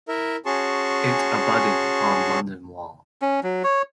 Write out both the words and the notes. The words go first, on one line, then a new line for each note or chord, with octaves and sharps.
It abutted on London Wall.
E4 A#4 E5
C#4 F#4 G#4 A5 C6 C#6
C#4
F#3
C#5